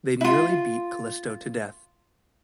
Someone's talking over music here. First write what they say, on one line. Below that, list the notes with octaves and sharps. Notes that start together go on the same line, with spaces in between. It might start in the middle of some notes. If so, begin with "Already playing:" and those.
They nearly beat Callisto to death.
E4 F4